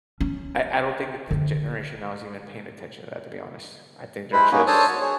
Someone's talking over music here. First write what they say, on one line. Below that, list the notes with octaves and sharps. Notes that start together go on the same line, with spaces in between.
I I don't think that this generation now is even paying attention to that, to be honest, I think they're just
C#4
D3
G#3 E4 B4 C5 B5
A#3 C#4 D#4 F#4 G#4
D4 A4 C5 C#5 A5 D#6
F#4 C#5 A5
G#4 C#5